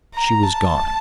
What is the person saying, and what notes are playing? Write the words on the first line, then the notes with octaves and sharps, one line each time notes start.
She was gone....
A#5
A5